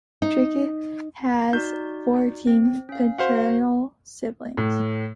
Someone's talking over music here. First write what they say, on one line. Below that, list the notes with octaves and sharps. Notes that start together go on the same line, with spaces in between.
Tricky has fourteen paternal siblings.
D#4
D#4 F#4 D5 G6
C4
C#4 F5
F#4 C5 F5 F#5
A2